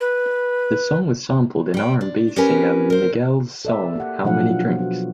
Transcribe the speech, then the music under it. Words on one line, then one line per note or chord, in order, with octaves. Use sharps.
The song was sampled in R and B singer Miguel's song How Many Drinks?
B4
G3 G5
D4
C#4 G4 A#4 B4 G#5
A#4 C5
A4 D5 E5
A#3 G4 F#5
B2 F3 F#3 D4 F5 F#5
B3 F#4